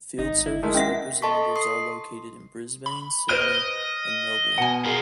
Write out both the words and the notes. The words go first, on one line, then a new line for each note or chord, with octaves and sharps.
Field Service representatives are located in Brisbane, Sydney and Melbourne.
G#1 D#4
E4
D#3 G#3 A3
C#4 E5 F#5
A4 D#5 A5 C6 C#6 B6
C6 D#6 C7
B5
B4 C5 D#5 F6 D7
B2 F#5 G#5
G2 F3 G#4 A#4